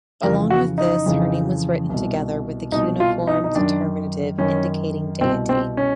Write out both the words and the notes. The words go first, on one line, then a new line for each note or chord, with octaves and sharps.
Along with this her name was written together with the cuneiform determinative indicating deity.
F2 C#3 E3 A#4
F#4
D#4
F2 C#3 E3
C2 B2
C2 B2 D#4
F4
D#4
D#4
F#2 D#3 D4
F#2 D#3 C#4
C2 B2 C4
C4
C#4